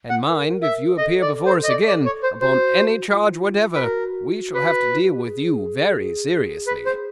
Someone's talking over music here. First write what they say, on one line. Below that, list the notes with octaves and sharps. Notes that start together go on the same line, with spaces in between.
And mind, if you appear before us again, upon any charge whatever, we shall have to deal with you very seriously!'
F#5
A#4
E5
A4 D#5
D5
C5
D#5
D5
D5
C#5
C5
F#4 C5
F4
B4
F#4 A#4
B4
F4
F#4
G4
G#4
B4
C5